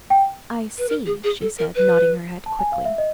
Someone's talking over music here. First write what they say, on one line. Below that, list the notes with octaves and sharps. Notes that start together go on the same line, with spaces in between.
"I see," she said, nodding her head quickly.
G5
B4
A#4
G#4
G#4
A4
A#4
B4
A5
G#5
F5
E5
D#5